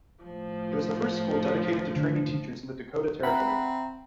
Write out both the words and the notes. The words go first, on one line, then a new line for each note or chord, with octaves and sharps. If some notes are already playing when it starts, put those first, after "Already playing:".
It was the first school dedicated to training teachers in the Dakota Territory.
A2 F3
D3
C4 E5 F#5 A#5 B5